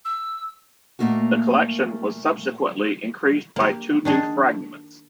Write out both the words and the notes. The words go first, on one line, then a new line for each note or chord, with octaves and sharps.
The collection was subsequently increased by two new fragments.
E6
A#2 C#3 A3 A#3 D#4 F#4
A#3 G4
D#3 D4 G#4